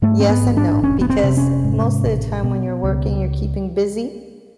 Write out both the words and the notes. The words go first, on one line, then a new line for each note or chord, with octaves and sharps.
Yes and no, because most of the time when you're working, you're keeping busy,
G#2 A3
C4
B3
A1
D4
F1 C#4
B3
C4
C3
C#4
G#2
A1
B2
C#2